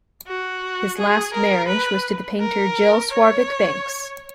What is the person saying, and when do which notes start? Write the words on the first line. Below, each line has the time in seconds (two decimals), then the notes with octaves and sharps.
His last marriage was to the painter Jill Swarbrick-Banks.
0.27 F#4
0.98 G#4
1.34 A#4
1.68 B4
2.39 A#4
3.10 C#5